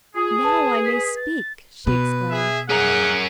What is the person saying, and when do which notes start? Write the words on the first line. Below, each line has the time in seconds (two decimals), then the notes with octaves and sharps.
"Now I may speak!" she exclaimed.
0.15 F4 G#4
0.43 B4 A5
0.85 B6
1.15 A6
1.87 B2 B4
2.31 G#4 E5
2.70 A#3 C#4 G#4 A#4 F#5